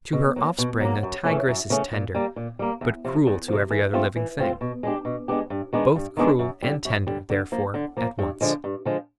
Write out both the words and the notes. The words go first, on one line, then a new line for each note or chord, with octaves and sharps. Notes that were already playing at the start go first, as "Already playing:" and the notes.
To her offspring a tigress is tender, but cruel to every other living thing--both cruel and tender, therefore, at once.
B2
F#3 A#3
B2
F#3 A#3
F#2
C#3 E3 A3 C#4
F#2
C#3 E3 A3 C#4
A#2
G3 A#3
A#2
G3 A#3
E2
C3 F3
E2
C3 F3
E3
A3 C4 F4
E3
A3 C4 F4
B2
G#3 B3 D4 G4
B2
G#3 B3 D4 G4
G2
D#3 G#3 B3 D4
G2
D#3 G#3 B3 D4
F#2
D3 G3
F#2
D3 G3
D3
F3 A#3
D3
F3 A#3
G2
D3 F3 G#3
G2
D3 F3 G#3